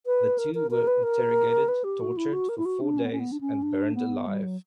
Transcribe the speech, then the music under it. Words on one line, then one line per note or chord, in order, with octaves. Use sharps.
The two were interrogated, tortured for four days, and burned alive.
B4
A#4
A#4
A#4
B4
A#4
B4
G4
F#4
E4
F#4
A#4
E4
F#4
D4
C#4
B3
C#4
B3
D4
C#4
D4
B3
G3
F#3